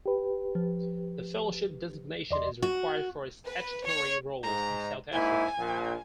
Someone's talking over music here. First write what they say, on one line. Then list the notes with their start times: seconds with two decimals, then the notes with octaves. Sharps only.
The Fellowship designation is required for statutory roles in South Africa.
0.06 G4 B4
0.55 F3
2.30 E2 D5 D#5 C6
2.62 F#4
3.48 B4
3.86 C#5
4.43 G#2 A#5
5.12 G#2 A#3 E4 G#5
5.58 A#1 A#2